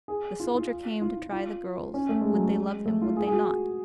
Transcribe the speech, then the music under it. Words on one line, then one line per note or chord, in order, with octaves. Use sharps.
The soldier came to try the girls: Would they love him, would they not?
G#4
F4
F4
F4
F4
F4
C#4
A3
G#3
F#3
G#3
A3
F4
G#4
G#4
F#4